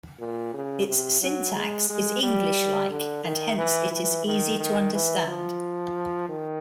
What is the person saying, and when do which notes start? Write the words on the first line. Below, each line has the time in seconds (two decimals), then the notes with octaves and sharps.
Its syntax is English-like and hence it is easy to understand.
0.20 A#2
0.53 C#3
0.87 C3
1.21 F#3
1.55 G#3
1.89 G#3
2.23 G3
2.90 D3
3.24 D#3
3.58 E3
3.92 E3
4.26 D#3
4.60 D#3
4.94 E3
5.28 F3
6.29 D#3